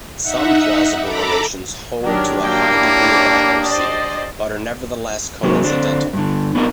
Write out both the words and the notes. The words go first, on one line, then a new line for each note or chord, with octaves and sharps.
Some plausible relations hold to a high degree of accuracy, but are nevertheless coincidental.
D#4 E5 F#5
A4 A#5 B5 D6
D#3 F#3 D4 G4 A#4
F#3 A#3 G5
E4 C#5
C5 D5 D#5
C3 D#3 F#3 G#3 A#3
D3 C4 D4
G2 D3
B3 D4 D#4 F4 A#4